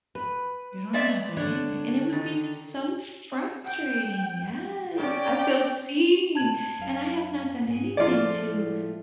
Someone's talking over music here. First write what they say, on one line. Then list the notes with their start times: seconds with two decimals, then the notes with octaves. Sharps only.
You don't have anything, and it would be so frustrating. Yes, I feel seen, and I have not done anything to,
0.15 B4
0.93 G#3 D5 E5
1.37 D3 D4 C#5
2.12 D#3
3.64 G5
4.97 C#4 D5 G5
6.35 A5 G#6 F#7
6.80 F#2 F5
7.68 G#2 G#5
7.97 A2 F3 A3 E4 F4 G#4 D5